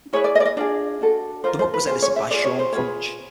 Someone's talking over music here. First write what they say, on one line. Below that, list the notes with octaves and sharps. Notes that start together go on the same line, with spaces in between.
The book was edited by Sean Punch.
E4 G#4 B4 C#5
D5
D#5
D5
D#5
D4 F4 G#4 D5
D4 F#4 A4
F4 A#4 C5
C5
B4
C#4 F4 G#4 C5
C#5
E5
F4 G#4 B4 D5
C#5
C5
F4 G#4 B4 C#5